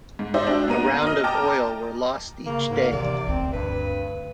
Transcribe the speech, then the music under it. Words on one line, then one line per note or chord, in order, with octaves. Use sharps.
Around of oil were lost each day.
G#2
D#4 G4 C5 D5 E5
D4 F#4
A#3 B3 A#5 D#7
D#5 F6
G5 A5 A#5 D6
C#3 A#3
G#2
C3 E3 C#4 D5
D2 D3 C4
G2 B4